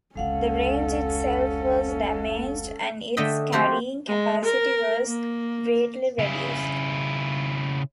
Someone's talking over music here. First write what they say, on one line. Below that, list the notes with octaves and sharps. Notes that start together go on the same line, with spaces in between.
The range itself was damaged, and its carrying capacity was greatly reduced.
F1 C#2 G#3 C#4 A4 F5 F#5
D3 A3 D#5 E5 G5
F3 A3 C4 F#4 G4 C5
G#3
A#4
A#3
C#3 E4